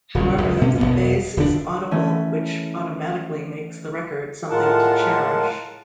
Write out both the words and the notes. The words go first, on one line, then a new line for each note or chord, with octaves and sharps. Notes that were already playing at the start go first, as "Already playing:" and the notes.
However, the bass is audible, which automatically makes the record something to cherish.
D#1 C#3 G3
C#2 F#2
B2 A#3 C#4
E1 D#2 B2 B3
D#1 D3 D4
E3 A3 C#4
A2 G#3 F4 A#4 F#5 A5